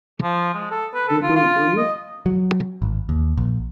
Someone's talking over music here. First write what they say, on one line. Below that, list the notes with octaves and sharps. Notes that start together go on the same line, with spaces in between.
You do, do you?
F3
G#3
A4
B4
A4
F4
F4
D#5
F#3
G#1
D#2
A#1